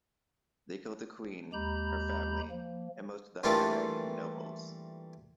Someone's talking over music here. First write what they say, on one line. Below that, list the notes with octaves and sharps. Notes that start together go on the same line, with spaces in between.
They killed the queen, her family, and most of the high-ranking nobles.
D#2 G#3 G4 A#5 B5 G6
F3 A#3
E3 G3 A3 A#3 D4 F4